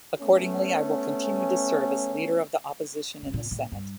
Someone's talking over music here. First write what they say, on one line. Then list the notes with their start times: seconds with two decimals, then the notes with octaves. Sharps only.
Accordingly, I will continue to serve as Leader of the Opposition in the Senate.
0.20 A3 B3 C#4
3.22 F#1 C3
3.34 A#2
3.51 A2
3.72 G2